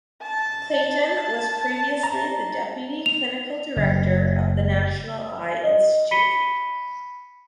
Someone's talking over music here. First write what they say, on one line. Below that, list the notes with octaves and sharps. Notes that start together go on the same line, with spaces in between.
Clayton was previously the deputy clinical director of the National Eye Institute.
A5
A#5
F7
F#1
D#5
B5 B6 C#7 D#7 G7